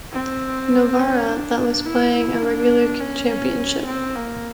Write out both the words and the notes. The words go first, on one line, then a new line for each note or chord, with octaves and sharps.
Novara, that was playing a regular championship.
C4
C#4
D4
E4
E4
D4
C#4
C#4
C4
A#3